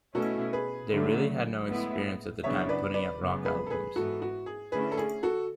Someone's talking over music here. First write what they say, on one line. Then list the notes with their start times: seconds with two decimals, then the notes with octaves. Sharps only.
They really had no experience at the time putting out rock albums.
0.14 B2 A3 C#4 E4 F#4 A4
0.53 G#4 B4
0.91 D3 F#3 A3
1.68 A2 G#3 B3 E4
2.43 F#2 C#3 E3 B3 D4 C#5 E5
2.69 B4 D5
2.94 B4 D5
3.19 F#2 C#3 G#3 B3
3.45 G#4 B4
3.67 A4
3.70 G#4 B4
3.96 G#2 E3 B3 F#4 A4
4.22 F#4
4.46 G#4
4.72 D3 A3 C#4 E4 G#4 B4
4.92 A4
4.97 G#4
5.23 F#4 A4